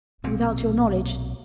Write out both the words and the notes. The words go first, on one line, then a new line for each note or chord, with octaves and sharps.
"Without your knowledge?"
B1 A#2 C4